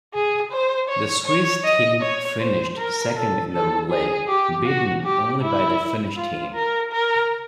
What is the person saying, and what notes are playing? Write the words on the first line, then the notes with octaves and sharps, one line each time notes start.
The Swiss team finished second in the relay, beaten only by the Finnish team.
G#4
C5
C#5
C#5
D#5
C#5
C5
A#4
A4
A4
G#4
G4
F#4
G4
E4
F4
A#4
A#4